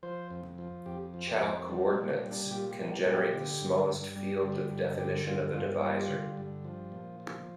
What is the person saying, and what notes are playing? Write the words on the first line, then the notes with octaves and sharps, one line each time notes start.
Chow coordinates can generate the smallest field of definition of a divisor.
F3 C5
F2
F3
F2 G4
F3
G4
F2
G3 D4
C4
A#2
D4
G3
D4
A#2 G4
G4
G3
A#2
G4
D3
G2
G2
G3
D3
G2
D3 G4
G2 F4
G2 F4
G3 F4
D3
G2
F3
A#2
F3